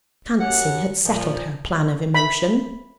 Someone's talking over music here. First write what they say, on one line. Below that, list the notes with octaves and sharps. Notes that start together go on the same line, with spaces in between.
Fancy had settled her plan of emotion.
F#2 G4 F#5
A#2 F3
B5